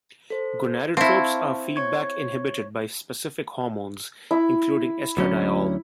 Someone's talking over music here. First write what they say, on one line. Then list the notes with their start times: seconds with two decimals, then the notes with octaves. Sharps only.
Gonadotropes are feedback inhibited by specific hormones, including estradiol.
0.30 A4 C5
0.97 C4 E4 F5 A5 C#6
1.76 C#5 C#6 G#6
4.31 E4
5.17 D2 F#3 C#4